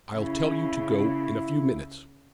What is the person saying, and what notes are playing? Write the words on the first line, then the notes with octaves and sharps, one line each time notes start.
"I'll tell you to go in a few minutes."
C#3 E4